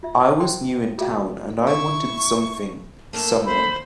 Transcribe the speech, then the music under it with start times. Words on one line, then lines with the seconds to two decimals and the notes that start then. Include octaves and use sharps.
I was new in town and I wanted something, someone.
0.03 F4 E5
0.40 C5 G5 G#5 C6
0.98 F4 F#4 G#4 E5 F5 G5
1.67 E4 C#6
3.13 F#2 A3 A#3 A5
3.46 C5 B5